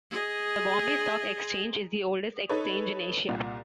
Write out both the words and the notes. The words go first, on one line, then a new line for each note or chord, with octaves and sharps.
The Bombay Stock Exchange is the oldest exchange in Asia.
G#4 D#5
D#4 A4 B4 C#5
C2 A#2